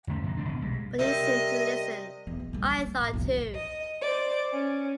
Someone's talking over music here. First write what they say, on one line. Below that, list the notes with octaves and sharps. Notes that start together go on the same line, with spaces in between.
But he seemed to listen, I thought, too.
E2 D3 A3 C#4
F2 C3 E3 A#3
D1 F#2 D#3 D4
B2
B1 G3 G#3
C3 G3 A#4 D#5 E5
E2
B3
D3 G3
A#3
A1
B1 E2
D#5
C5 D5
C#4